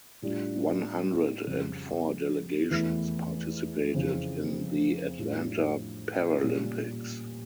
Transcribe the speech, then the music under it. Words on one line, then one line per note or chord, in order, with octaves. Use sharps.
One-hundred and four delegations participated in the Atlanta Paralympics.
A2 G3 D4 F4
F2 C#3 G3
E2 E3 A3 E4
F2 C#3 E3
A2 G3 D4 F4
A#2 G3 C#4